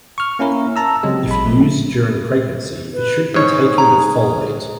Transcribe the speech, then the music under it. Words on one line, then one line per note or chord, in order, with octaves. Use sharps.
If used during pregnancy it should be taken with folate.
C#6 F6
A#3 C#4 E4 A#4
A5 A#5 E6
C#3 F#3 G#3 C4 G4
A1 B5
F3 A3
B4
G#2 G#4 C#5
A#5